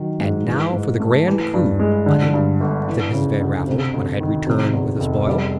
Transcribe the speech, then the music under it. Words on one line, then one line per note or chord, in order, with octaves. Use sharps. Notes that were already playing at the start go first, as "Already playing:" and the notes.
"And now for the grand coup, Bunny," said Mrs. Van Raffles, when I had returned with the spoil.
Already playing: D#3 F#3
G#2
E3
G#2
A3
E3
G2
G#3
D3
G2
G1
E3
C#3
D2
C3
D2
D#3
C3
E2
F1
G3